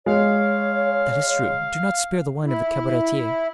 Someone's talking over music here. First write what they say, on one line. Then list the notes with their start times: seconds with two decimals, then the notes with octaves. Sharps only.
"That is true; do not spare the wine of the cabaretier."
0.06 G#3 C#5 F5
2.44 E4